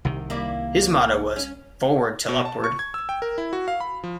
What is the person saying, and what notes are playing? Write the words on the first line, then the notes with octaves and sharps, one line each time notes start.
His motto was Forward 'Till Upward.
C2 C3 D#3
A#3 E4 D5
C#4
B2
A5
C#6
G#6
E6
G5
A#4
E4
F#4
F5
B5
F3